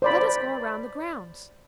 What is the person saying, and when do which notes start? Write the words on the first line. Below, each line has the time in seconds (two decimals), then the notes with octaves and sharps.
"Let us go around the grounds."
0.02 C5 D5 B5